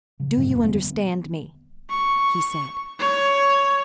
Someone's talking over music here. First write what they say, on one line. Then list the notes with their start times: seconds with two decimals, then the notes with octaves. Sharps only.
"Do you understand me?" he said.
0.20 C#3
0.37 F#2 A#2 D3 F#3
0.48 E1 A#3 C4 D4
0.64 D3 G3 B3
1.90 C#6
2.99 C#5